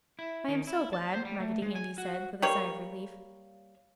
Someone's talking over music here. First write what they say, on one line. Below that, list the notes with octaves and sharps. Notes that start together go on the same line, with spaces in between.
"I am so glad!" Raggedy Andy said, with a sigh of relief.
E4
D#3
E4
A5
C5
G3
A3
G#3
G#5
F#4
G3 A#3 C#5